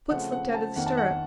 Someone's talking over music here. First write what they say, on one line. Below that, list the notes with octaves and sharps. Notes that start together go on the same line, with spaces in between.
"Foot slipped out of the stirrup."
C#3 F3 A3 C4 F#5
F#5
A5
F2 D#3 A#3 F#5
A5
F#5